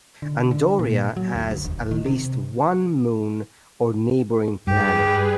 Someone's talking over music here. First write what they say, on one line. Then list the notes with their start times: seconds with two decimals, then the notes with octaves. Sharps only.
Andoria has at least one moon or neighboring planet.
0.22 D3
0.51 D3
0.79 A#2
1.16 F#3
1.35 D#2
1.51 D2
1.64 E1
1.91 D#3
2.06 C3
4.67 G2 G3 G4 G#4 B4